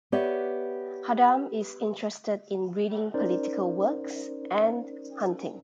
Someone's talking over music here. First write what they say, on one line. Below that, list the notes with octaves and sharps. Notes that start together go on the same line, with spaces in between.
Khaddam is interested in reading political works and hunting.
B3 G4 B4 C#5 D5 E5
C#4 D#4 A#4 C5 D5